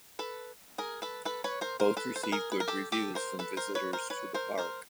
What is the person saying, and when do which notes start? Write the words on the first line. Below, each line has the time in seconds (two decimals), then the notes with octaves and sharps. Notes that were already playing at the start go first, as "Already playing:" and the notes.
Both received good reviews from visitors to the park.
0.19 A4 B4
0.78 G#4 A#4
1.02 A4 B4
1.25 A4 B4
1.44 B4 C#5
1.61 A#4 C5
1.80 A#4 C5
1.97 A4 B4
2.16 C5
2.23 B4
2.32 G#4 A#4
2.52 B4
2.60 A#4
2.68 G4 A4
2.92 G4 A4
3.15 A#4 C5
3.39 A4 B4
3.57 A#4 C5
3.75 B4 C#5
3.93 A#4 C5
4.10 B4 C#5
4.34 A#4 C5
4.58 A#4 C5